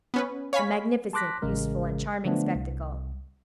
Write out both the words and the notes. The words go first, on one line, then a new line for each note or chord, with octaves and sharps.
A magnificent, useful, and charming spectacle.
B3 C#4 B4
C#5 F5 G#5 B5 B6
A5 C6 D6 F#6 A#6 B6
A1 C#3 G#3 A#4
D3 F3 A3 B3 D4
C2